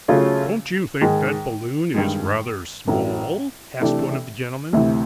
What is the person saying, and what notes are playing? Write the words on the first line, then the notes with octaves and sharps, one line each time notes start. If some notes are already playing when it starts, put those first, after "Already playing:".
"Don't you think that balloon is rather small?" asked one of the gentlemen.
C#3 F#3 A3 C#4 F4
G#2 D#3 G#3
G2 D#3 G#3
A1 A2 F#3
C3 E3 A3 D4 G4
D2 C3 E3